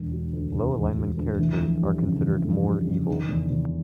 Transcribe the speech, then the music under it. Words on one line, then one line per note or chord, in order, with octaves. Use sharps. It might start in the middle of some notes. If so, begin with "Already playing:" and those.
Low alignment characters are considered more 'evil'.
Already playing: E1 D3
F#3
D2
D3
E1
F#3
D2
E3
F2
G3
C#3
E3
F2
G3
C#3
D#3
E2
E2